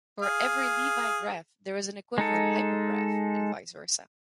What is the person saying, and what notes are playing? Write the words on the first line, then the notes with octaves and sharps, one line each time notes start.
For every Levi graph, there is an equivalent hypergraph, and vice versa.
G#4 F5
G#3 D#4 A4